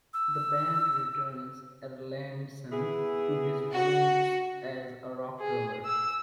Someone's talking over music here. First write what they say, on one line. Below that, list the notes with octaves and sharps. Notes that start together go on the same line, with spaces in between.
The band returns Erlandsson to his roots as a rock drummer.
E6
B3 E4 G#4
F#4
G#4
E6